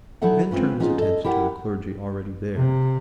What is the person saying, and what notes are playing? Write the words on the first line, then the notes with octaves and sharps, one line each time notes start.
He then turned his attention to the clergy already there.
F#3 D#4 E4 A4 E5 F#5
G#3 C4 C#4 F4 B4
B3 C#4 D#4 F4 G#4
A4 D#5
E4 G4 A#4 F#5 G5
C3